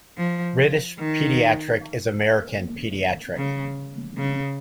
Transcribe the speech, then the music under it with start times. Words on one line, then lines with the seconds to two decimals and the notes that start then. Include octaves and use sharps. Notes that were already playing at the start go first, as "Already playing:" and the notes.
British paediatric is American pediatric.
0.18 F3
0.98 D#3
3.37 C#3
4.18 C#3